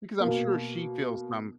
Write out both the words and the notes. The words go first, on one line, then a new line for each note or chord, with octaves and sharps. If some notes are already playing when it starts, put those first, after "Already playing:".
Because I'm sure she feels some
B2 A#3